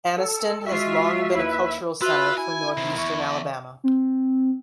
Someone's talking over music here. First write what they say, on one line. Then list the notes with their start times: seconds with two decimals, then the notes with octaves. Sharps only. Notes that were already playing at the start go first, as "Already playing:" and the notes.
Anniston has long been a cultural center for northeastern Alabama.
0.18 A4
0.66 G#3 F4 F#4 E5
1.35 D#2 E4 B4
2.02 F4 F#4 B4 E5 B5 E6
2.38 E4 G#5
2.77 C3 D#3 C7
2.96 E2 E5 C#6
3.84 C4